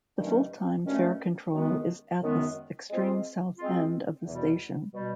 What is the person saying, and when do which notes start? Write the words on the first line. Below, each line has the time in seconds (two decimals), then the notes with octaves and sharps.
The full-time fare control is at the extreme south end of the station.
0.17 G2 D#3 F#3 A3 C#4
0.85 G2 D#3 F#3 A3 C#4
1.53 F#2 D#3 G#3 B3
2.22 F#2 D#3 G#3 B3
2.90 G#3 C4 F4
3.58 G#3 C4 F4
4.26 E2 B2 G3
4.94 B2 G3